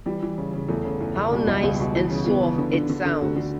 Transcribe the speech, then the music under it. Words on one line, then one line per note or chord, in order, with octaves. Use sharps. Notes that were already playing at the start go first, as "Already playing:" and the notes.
How nice and soft it sounds!
E3 G3
E3
C#3
C#3
E2 A3
C#3
E2
E2
B2 G3
C#2 G3
C#2
B2
E3
C#3
E3 B3
E3
D3
D3
D3
D3
D2 F#4
D3